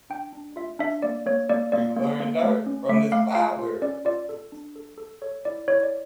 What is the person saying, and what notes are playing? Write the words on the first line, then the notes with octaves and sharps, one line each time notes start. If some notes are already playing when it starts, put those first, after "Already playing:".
He learned art from his father.
D4 G5
D4
F4 E5
D4 E5
A#3 D5
A#3 C#5
A#3 D5
A#3 D5
A#3
A#3
A3
C#4
A3 E5
A3 F5
F4 F5
F4
C#4 D5
F4 D5
A4
D4
A4
A4
A4 C#5
E4 D5
E4 C#5
D5